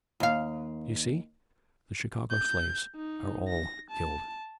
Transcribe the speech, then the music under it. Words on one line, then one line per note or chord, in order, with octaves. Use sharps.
"You see, the Chicago slaves are all killed."
D#2 F5
G6
D#4
A#6
A5